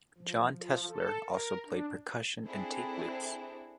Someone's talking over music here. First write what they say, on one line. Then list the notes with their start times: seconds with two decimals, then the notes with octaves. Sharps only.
Jon Tessler also played percussion and tape loops.
0.18 F3
0.51 F3
0.88 A4
1.25 A#4
1.66 D4
2.45 C4 D4 E4 G#4 A4 C5